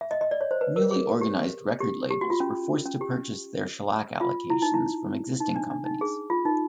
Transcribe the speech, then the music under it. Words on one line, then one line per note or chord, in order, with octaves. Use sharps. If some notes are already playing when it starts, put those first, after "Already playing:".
Newly organized record labels were forced to purchase their shellac allocations from existing companies.
E5
D#5
D#5
D5
C#5
C5
B4
A#4
G#4
G4
G4
G4
F#4
F4
C#4
C#4
G4
F4
E4
D#4
E4
D#4
D4
D4
D#4
G#4
F4
D#4